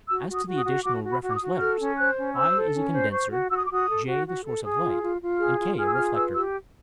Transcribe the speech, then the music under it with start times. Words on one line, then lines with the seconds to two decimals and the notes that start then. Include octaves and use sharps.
As to the additional reference letters, I is a condenser J the source of light, and K a reflector.
0.08 F#4 E6
0.28 F#4
0.34 D#6
0.46 F#4
0.58 D#6
0.65 F#4
0.84 F#4 D6
1.03 F#4
1.10 B5
1.23 F#4
1.29 D6
1.35 D#6
1.41 F#4
1.60 A4 F6
1.79 C#4
1.98 C5 F#6
2.16 C#4
2.36 C5 E6
2.55 A4
2.74 C#4
2.92 C5
3.11 C5 C#6
3.31 F#4
3.50 F#4 E6
3.58 D#6
3.66 D6
3.69 F#4 D#6
3.88 A4
4.07 F#4
4.26 F#4
4.45 A4
4.63 G#4 D#6
4.83 F4
5.02 F4
5.21 F4
5.39 G#4 F6
5.59 F4
5.77 G#4 F6
5.86 E6
5.94 F4 F6
6.15 B4 E6
6.35 G4 E6